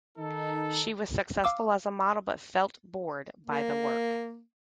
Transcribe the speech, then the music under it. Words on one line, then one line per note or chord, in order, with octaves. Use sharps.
She was successful as a model but felt bored by the work.
D#3 D#4 A4
F5 D6 E6
A#3